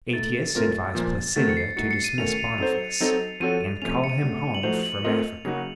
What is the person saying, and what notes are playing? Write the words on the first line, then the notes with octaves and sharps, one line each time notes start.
Aetius advised Placidia to dismiss Boniface and call him home from Africa.
A3 D#4 A4 A6
A#2 A3 C4 F4 A#4
A#2 F3 A#3
D#3 A3 C4 F#4 A6
C#7
C7
A#2 A3 D#4 F#4 C#7
C#7
D#7
D#3 A3 C#4 F#4 A#4 F7
F7
F#3 C4 D#4 A4 C5 F7
F#3 C4 D#4 A4
F3 C4 F#4 A4 C#5 D#7
D#7
C3 F3 A3 C#4 F7
F7
C#7
D#7
C3 F#3 A3
F#7
F3 A3 D#4 F#4 C5 F7
F#7
A3 C4 F4 A#4 D#5 F7
C#3 F#3 A#3 D#4 F#4